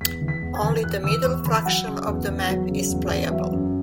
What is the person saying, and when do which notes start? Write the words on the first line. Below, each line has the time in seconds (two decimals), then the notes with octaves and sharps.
Only the middle fraction of the map is playable.
0.01 E2 B6
0.21 E3
0.28 B6
0.42 E2
0.56 G#6
0.63 E3
0.84 E2 F#6
1.04 E3 E6
1.24 E2 C#6
1.45 E3 B5
1.66 F#3 F#5
1.87 C#3
2.07 E2
2.28 E2
2.49 F#3
2.69 C#3
2.90 E2
3.10 E2
3.31 F#3 E5
3.51 F#2